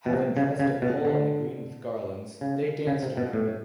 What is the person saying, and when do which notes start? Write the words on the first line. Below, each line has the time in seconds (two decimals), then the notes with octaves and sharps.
Having dressed a pole on the green with garlands, they danced around it.
0.06 B2
0.13 C3
0.37 C#3
0.60 C#3
0.82 B2
1.05 D3
2.41 C#3
2.87 C#3
3.02 C3
3.17 B2
3.33 A2